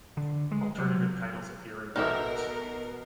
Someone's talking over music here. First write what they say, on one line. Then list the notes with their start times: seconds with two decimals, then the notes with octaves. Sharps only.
Alternative titles appear in brackets.
0.17 D3
0.51 G#3
0.78 F#3
1.96 A1 B2 D#4 A4 A#4 E5 F6